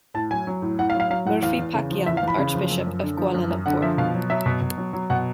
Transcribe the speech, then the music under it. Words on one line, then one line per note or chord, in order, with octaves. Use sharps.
Murphy Pakiam, Archbishop of Kuala Lumpur.
A2 A5
F#3 G#5
F#3
A2
A2 F#5
F5
F#3
F5
F#3 F5
A2 F#5
E2 F5
E2
C#3
F3
E2 E5
F5
E2 B5
C#3 B5
F3
F#2
F#2
D3
F3
F#2
F#2
D3 F#5
F3 E5
B2 F5
F#3
F#3 E5
B2
B2
F#3
F#3
B2 F#5